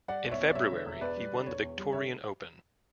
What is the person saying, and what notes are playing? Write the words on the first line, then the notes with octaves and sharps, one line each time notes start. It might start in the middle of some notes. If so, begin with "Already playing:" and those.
In February he won the Victorian Open.
G3 D5 F#5
B1
C#5 E5
B2
D5
G3 C#5 E5
D3
E1
E2 B4 D5
G3
D3
E1 C#5
E2
G3
D3 C#5 E5